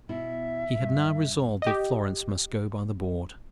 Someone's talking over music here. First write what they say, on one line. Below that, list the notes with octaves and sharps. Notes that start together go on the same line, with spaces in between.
He had now resolved that Florence must go by the board.
B2 E4 E5
G2
G4 D#5